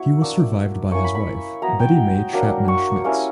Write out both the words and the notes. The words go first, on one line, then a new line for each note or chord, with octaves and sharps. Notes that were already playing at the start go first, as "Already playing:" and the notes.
He was survived by his wife, Betty Mae Chapman Schmitz.
Already playing: F#3 B3 E4 C#6
A#3 D4 D6
A#3 C#4 E4 C#6
B5
B5
F#3 B3 E4 A#5
G5
F#3 A#3 D4
C#6
G3 A#3 C#4 E4